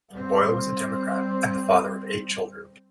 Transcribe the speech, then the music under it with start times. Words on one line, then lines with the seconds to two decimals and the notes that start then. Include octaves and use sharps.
Boyle was a Democrat, and the father of eight children.
0.10 G3 C4